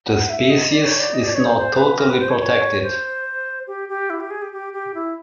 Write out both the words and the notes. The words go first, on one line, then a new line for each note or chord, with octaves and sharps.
The species is now totally protected.
F#5
E5
D#5
D5
C#5
D5
D#5
D5
C#5
C5
C5
B4
A#4
B4
C5
C#5
C#5
C5
G4
G4
E4
G4
G#4
G4
G4
G4
E4